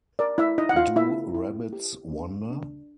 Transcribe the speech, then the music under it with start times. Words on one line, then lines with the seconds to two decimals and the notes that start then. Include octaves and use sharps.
Do Rabbits Wonder?
0.19 A#4 D5
0.38 E4 E5
0.58 D#4 E4 D#5
0.69 F#5
0.76 F4 F5
0.96 E4 E5
1.35 E4
1.73 G4
2.11 D4
2.50 D4